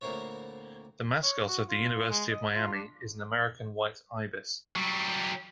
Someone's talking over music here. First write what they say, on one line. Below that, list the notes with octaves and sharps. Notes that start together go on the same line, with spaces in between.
The mascot of the University of Miami is an American white ibis.
D2 A#2 A#3 C4 E4 C#5
C#5
F#4
F4
G#3
D#5
F4
D4
F#3 G3